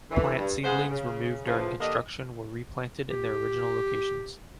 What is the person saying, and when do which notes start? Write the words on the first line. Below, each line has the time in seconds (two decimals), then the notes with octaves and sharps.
Plant seedlings removed during construction were re-planted in their original locations.
0.11 D3 E3
0.37 G2
0.64 C#3 G#3 B3 G#4 C5 F#5
0.89 C#3
1.45 A2 C#3 E3 F3
1.80 D3 A#3 G4 D#5
3.10 G4